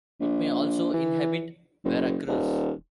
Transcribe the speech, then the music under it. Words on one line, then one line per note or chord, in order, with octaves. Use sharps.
It may also inhabit Veracruz.
A#1
E3
F#1
D#1